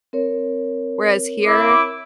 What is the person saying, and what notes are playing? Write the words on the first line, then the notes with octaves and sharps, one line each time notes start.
whereas here,
C4 A#4 C#5
E4 D6